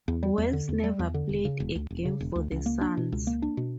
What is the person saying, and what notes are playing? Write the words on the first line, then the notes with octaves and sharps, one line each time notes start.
Wells never played a game for the Suns.
E2
G3
E2
D3
E2
G3
E2
D3
E1
C#3
E1
D2
E1
C#3
E1
D2
C#2
A#3
D4
B2
C#2
A#3
D4
B2